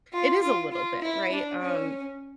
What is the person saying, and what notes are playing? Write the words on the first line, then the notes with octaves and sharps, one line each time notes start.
it is a little bit, right? Um,
F4
F4
F4
E4
D4
C#4